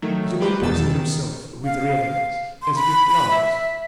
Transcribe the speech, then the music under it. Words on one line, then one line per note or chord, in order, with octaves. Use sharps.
You may poison yourself with reveries, as with flowers.
D#3 F#3 A3
E4 F4 G4 B4 C5
E2 G2 B2 D#3 E6 A6
D#3
F5
C6
B5
B5
E5